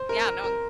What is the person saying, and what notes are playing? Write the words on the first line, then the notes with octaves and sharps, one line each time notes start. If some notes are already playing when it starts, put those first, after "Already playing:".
Yeah, knowing
Already playing: C5
A#4
A#4
A#4